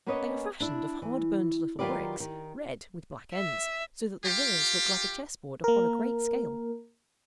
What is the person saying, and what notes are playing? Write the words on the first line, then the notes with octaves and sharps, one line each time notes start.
They are fashioned of hard-burned little bricks, red, with black ends, so that the walls look like a chess-board upon a great scale.
A#3 B3 C#4 B4 C#5 D#5
D4 E4
E3
D#3 F#3 F4 G4 B4 D5
D#3
E5
F4 G4
A#3 A#4